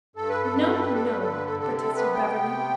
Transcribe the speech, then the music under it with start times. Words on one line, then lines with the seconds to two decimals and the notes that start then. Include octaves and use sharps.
"No, no!" protested Beverly.
0.16 G2 A4
0.29 B4
0.42 A4
0.51 G3 B4
0.67 A4
0.80 B4
0.88 G2
0.94 A4
1.06 B4
1.20 D3 A4
1.32 B4
1.45 A4
1.60 C3 A4
1.78 A4
1.96 B3 B4
2.14 G5
2.32 C3